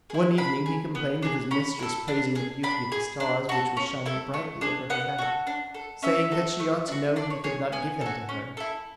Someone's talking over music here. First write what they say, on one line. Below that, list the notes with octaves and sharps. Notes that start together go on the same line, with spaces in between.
One evening he complained of his mistress praising the beauty of the stars which were shining brightly over her head, saying that she ought to know he could not give them to her.
G#4
E4
D4 B5
G#4
B3
D4 G#4
C#4 B5
E4 A4
D4
G#4
D4 B5
G#4
D4
F#4 A4
C#4
E4 A4
A3
D4 G#4
B3 F#5
F#4 A4
D4
A4
C#4 E5
F#4 A4
A3
D4
F#4
D4 D5
C#5
G#4 C#5
B3 G#5
F#4 A4
C#4
E4 A4